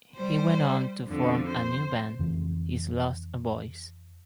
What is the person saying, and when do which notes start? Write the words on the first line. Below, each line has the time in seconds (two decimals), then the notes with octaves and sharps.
He went on to form a new band, His Lost Boys.
0.15 G3 C5
1.07 F2 D3
1.47 C5
2.19 F2 C#3 E3